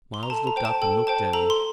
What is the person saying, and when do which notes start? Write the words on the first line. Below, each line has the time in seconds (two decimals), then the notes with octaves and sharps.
Myles looked up and looked down.
0.14 C6
0.23 A#5
0.30 A4 A5
0.47 A#5
0.56 C5 G5
0.65 A5
0.82 A4 G5
1.07 C5 G5 A5
1.33 A4 A#5
1.50 C6